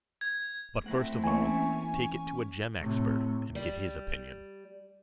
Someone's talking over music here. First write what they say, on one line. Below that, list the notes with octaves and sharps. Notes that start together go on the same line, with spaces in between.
But, first of all, take it to a gem expert, and get his opinion.
G#6
A3 C4 E4 F#5 F#6 A#6
E3 A#3 C#4 G#5 C#6
A2 C3
G3